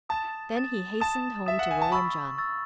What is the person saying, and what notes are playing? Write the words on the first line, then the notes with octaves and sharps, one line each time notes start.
Then he hastened home to William John.
A5 D#6 A6 E7
D#6 A6 E7
A5 D#6 A6 E7
E5 D#6 A6 E7
F#5
G#5
A5
B5 C#6 E6 A6
C#6 E6 A6